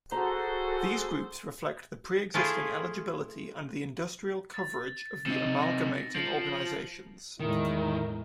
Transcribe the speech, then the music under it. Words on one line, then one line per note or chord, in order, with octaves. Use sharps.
These groups reflect the pre-existing eligibility and industrial coverage of the amalgamating organisations.
F#4 G#4 A4 C5 A#5
A3 E4 F4 G#4
A6
C3 D#4 C#7
A#6
F3 C7 D7 F#7
E2 A2 D#3 G#3 E4 A#4